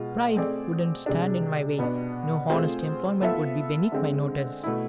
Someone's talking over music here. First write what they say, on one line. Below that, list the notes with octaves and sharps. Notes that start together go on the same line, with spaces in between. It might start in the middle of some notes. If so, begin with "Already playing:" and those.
Pride wouldn't stand in my way; no honest employment would be beneath my notice.
Already playing: B2 G#3 F4
A3 C4 G#4 D5
C3 G#3 D4
B2 B3 D4
A3 C4 F4 G#4 C5
B3 F4 A4 E5
D3 G#3 C4
B2 A3 E4